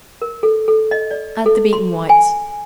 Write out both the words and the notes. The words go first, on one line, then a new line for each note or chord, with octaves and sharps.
Add the beaten whites.
A#4
A4
A4
D#5
D5
A4
C6
G#5